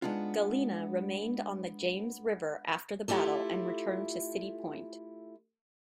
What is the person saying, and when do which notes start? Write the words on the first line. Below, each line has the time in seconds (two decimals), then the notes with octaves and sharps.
"Galena" remained on the James River after the battle and returned to City Point.
0.02 G#3 B3 D4 D#4 F4
3.08 A3 E4 F4 G4 A4